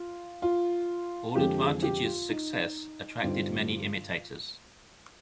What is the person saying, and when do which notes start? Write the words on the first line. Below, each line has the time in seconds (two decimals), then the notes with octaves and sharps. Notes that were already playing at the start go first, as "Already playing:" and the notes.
AllAdvantage's success attracted many imitators.
Already playing: F4
0.42 F4
1.35 F2 D3 F3 G#3 G4
1.60 G#4
1.83 G4
2.06 F4
2.29 D#4
3.23 G2 D3 G3 C4 D#4 F4